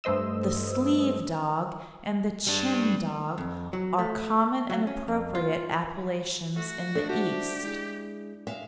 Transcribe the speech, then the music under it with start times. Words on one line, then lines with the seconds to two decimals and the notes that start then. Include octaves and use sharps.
The "sleeve dog" and the "chin dog" are common and appropriate appellations in the East.
0.04 G2 A3 C5 D#5 E6
2.47 G3 D4
3.38 F2
3.73 F#3
3.99 A3
4.70 F#3
4.87 C#4
5.08 F2
5.35 F4
6.56 A3 F#4
6.95 A3 D4 G#4 A4
7.09 F#4 G4 C5 E5 A5
7.63 G#3 E4 G#4
8.47 G#3 E5 F5